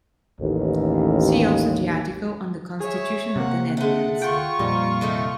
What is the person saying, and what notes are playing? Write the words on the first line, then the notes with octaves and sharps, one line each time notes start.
See also the article on the Constitution of the Netherlands.
A1 D#2
G#4 C#5 E5
C3 A#3 F#5
G#3 A3 F#5
F4 F#5 G5 C#6
F2 A#2 G3 D#4
C3 D#3 A3